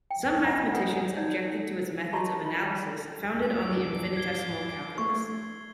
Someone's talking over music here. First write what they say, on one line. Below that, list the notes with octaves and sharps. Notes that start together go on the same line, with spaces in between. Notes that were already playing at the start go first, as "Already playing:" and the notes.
Some mathematicians objected to his methods of analysis founded on the infinitesimal calculus.
G5
F4 D#5 F#5 A#5
G#4 A4 B4 C#5 F#5 G#5
D#4 C#5 D5
G#4 D#5 A5 A#5 C6 C#6
F4
D4 D6
G#6 C7 G7
A3 C#6